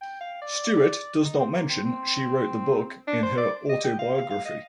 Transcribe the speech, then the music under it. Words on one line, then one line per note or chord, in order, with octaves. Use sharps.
Stuart does not mention "She Wrote the Book" in her autobiography.
G5
F5
D5
D#4
C4
A#3
C4
C4
D4
C5
D5
D#5
G5
F5
F5
F5
D#5